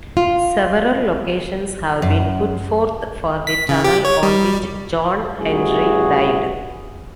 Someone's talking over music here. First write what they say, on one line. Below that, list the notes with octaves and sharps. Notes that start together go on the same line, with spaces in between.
Several locations have been put forth for the tunnel on which John Henry died.
F4
F#2
B6
C#3
G4
C#5
G3
A1 G2 E4 F#4 G#4